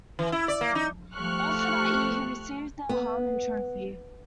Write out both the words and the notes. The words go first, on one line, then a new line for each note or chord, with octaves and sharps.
Also that year, he received the Harmon Trophy.
E3
E4
D5
A#3
D#4
F3 A3 G4 C#6 F6 F#6
B3